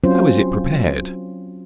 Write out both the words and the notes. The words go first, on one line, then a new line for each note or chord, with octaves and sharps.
How is it prepared?
F#3 C4 C#4 F4 C5